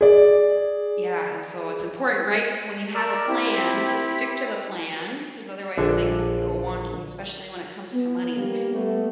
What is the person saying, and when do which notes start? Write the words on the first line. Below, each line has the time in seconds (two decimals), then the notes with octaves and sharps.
yeah and so it's important right, when you have a plan, to stick to the plan, 'cause otherwise things can go wonky, especially when it comes to money.
0.01 G#4 D5
2.95 A#4 D5 E6
3.27 C4 E4 G4
5.78 A#1 D3 D4 A4 G#5
7.93 B3
8.36 G3 A#3 G4
8.72 G3 A3 B3